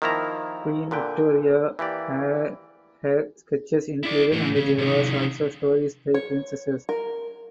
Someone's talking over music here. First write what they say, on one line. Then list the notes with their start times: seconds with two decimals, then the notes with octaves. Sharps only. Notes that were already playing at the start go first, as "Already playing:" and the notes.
Queen Victoria had her sketches included and there was also stories by princesses.
0.02 D#3 F3 A#3 E4 A5 A#5
0.91 A#2 D3 B4 G5
1.79 E3 A#3 G4 D5
4.03 E4 D5
4.33 A2 E3
4.55 C#3
4.78 C3 D#3
6.14 C#5
6.89 A#4